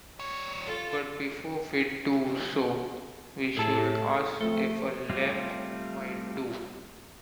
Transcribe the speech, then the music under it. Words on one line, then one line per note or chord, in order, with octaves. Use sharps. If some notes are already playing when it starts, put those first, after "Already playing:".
But before we do so we should ask if a lamb might do.
G3 C#5
F4 A4
A2 G#4 A4 A5
F3 A3 C4 A4
G3 A3 C4 F4